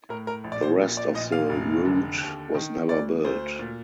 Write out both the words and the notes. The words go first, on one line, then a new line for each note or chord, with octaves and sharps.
The rest of the route was never built.
A2 A#4
A#4
A#1
D5
C5
A#2
D5
A#1 D#5
F5
F1
D3
D#2
D#3
D2 D5
D2 C5
A#2